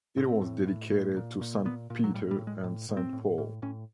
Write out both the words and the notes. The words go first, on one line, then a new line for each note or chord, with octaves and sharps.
It was dedicated to Saint Peter and Saint Paul.
A2 C4
A2
A2
A2
A#2
A#2
A#2 B3
A#2
F#3
A2 G3
G3
A2
G#3
A2
A2
C4
A2
A2
A2 C#4